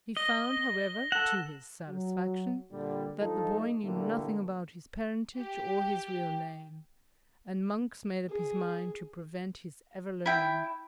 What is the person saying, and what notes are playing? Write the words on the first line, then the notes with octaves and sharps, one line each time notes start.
He found, however, to his satisfaction, that the boy knew nothing about his parentage or his real name, and Monks made up his mind to prevent his ever learning.
D#5 A#6 G7
A4 F#5 E7
F#3
A#2 D3 G3
G2 F3 D#4 F4 A4
A#2 D3 E3 G3 A3 A#3
G4
G#4
E4 G5